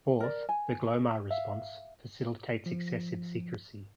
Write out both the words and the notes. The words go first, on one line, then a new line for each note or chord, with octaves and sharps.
Fourth, the Glomar response facilitates excessive secrecy.
A#4 D5
G#5
E5 F5
F3